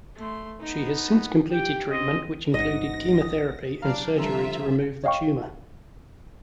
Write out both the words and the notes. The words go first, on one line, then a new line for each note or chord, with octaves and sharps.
She has since completed treatment, which included chemotherapy and surgery to remove the tumor.
A3 C6
B3 D#4
G4 G5
C4 D#5
A1 G#2 D#5 F#5 A#6
D#6
F#3 D4 D5 F5 A#5 F6
D3 F3 G3 D4 F4 A4 E5 A#5
C#5 D#5 F5 G5 C#6